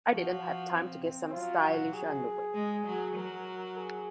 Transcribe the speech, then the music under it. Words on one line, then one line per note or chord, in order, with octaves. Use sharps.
I didn't have time to get some stylish underwear.
F3 F#4
C4
F#3 F4
F#4
G#4
G#3
F#3
F#3 A#4
G#4